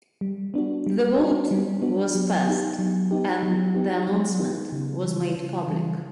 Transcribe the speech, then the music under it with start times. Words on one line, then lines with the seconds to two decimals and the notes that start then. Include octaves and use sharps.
The vote was passed and the announcement was made public.
0.21 G3
0.54 B3 D4 F#4
0.87 G3
1.18 B3 D4 F#4
1.51 G3
1.82 B3 D4 F#4
2.15 F#3
2.47 B3 D#4 G4
2.79 F#3
3.11 B3 D#4 G4
3.43 F#3
3.75 B3 D#4 G4
4.08 F#3
4.39 B3 D#4 G4
4.72 C#3
5.04 E3 G3
5.36 C#3
5.68 E3 G3